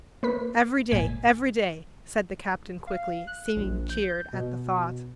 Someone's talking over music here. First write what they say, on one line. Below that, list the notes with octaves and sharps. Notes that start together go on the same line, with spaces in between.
"Every day, every day!" said the captain quickly, seeming cheered at the thought.
A#3 B4 B6
G#1 A#2 G#5 B6
F5
F#6
A#1
G6
B2